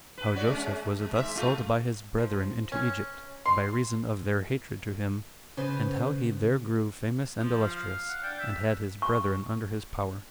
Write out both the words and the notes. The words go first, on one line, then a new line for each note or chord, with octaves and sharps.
How Joseph Was Thus Sold By His Brethren Into Egypt, By Reason Of Their Hatred To Him; And How He There Grew Famous And Illustrious And Had His Brethren Under His Power.
B4
F#4 C#5 D5
G#3 C#4
G#3
G#2 E5
G#3 A3 F4
F3
C#4
C6
C#3 B3 B4 C5
F3
F5
F#5
D4 G5
E5
C#6